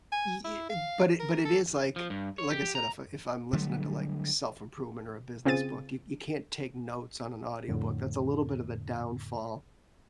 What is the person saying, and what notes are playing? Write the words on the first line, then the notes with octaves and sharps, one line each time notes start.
Ye i but it but it is, like, like I said, if I if I'm listening to, like, self-improvement or a business book, you you can't take notes on an audiobook. That's a little bit of a downfall.
G#5
E4
F5
A#4
A4
F3
G2
C#5
G4
A#5
D3 F#3 G3 A3
C#3 C4 F4 G#4 A6 D#7
F2 A2 D3